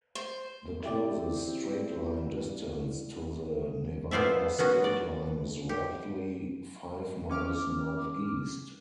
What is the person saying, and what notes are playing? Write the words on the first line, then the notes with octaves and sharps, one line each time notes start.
The closest straight-line distance to the Nevada state line is roughly five miles northeast.
C5
C4 E4 G4 D5
B3 F4 C5 D5 E5
B3 C#4 F#4
D5
G4
C#4 D6 F6